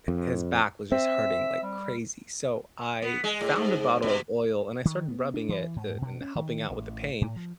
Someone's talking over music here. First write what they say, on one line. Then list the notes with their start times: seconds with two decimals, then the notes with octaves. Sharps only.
hi his back was just hurting like crazy. So I found a bottle of oil, and I started rubbing it, eh and helping out with the pain,
0.08 F2
0.92 C4 E5
1.63 G3
3.02 B3
3.24 G#3
3.41 A2
3.56 G#2
4.02 B2
4.85 D#3
5.08 B3
5.34 D4
5.49 E3
5.76 G#2
6.02 B2
6.21 C#4
6.35 D#3
6.71 A1
7.21 A2
7.36 F3